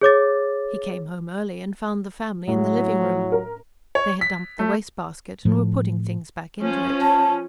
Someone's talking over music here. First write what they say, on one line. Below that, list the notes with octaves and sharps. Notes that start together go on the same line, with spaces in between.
He came home early and found the family in the living room; they had dumped the wastebasket and were putting things back into it.
G#4 C#5 D6 A6
A2 F#3
A#4
C#5
B6
A3
A2 F3
F3 C#4
A5